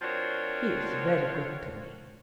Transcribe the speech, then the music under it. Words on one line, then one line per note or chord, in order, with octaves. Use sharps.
He is very good to me.
F3 C4 D4 F#4 A#4 C#5